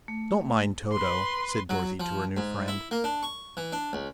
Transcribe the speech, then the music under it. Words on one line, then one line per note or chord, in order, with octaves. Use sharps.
"Don't mind Toto," said Dorothy to her new friend.
A3
B4 C6
F#3
F3
G#2
E4
A#3
D4
C#6
E3
D4
C#2